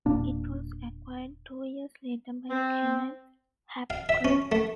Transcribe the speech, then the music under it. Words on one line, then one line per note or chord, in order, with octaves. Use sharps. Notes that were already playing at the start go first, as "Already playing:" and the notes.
It was acquired two years later by Kenneth "Hap" Klopp.
E1 A#2 A#3 D4
C4
F5
E5
C#4
A3